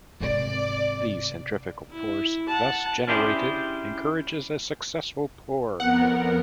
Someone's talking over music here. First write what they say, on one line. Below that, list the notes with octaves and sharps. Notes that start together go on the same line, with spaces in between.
The centrifugal force thus generated encourages a successful pour.
G#1 C3 D5
E4
F#5 A5
C#4 D4 E4 G4 G#4 C5
F2 B3 A#4 F#5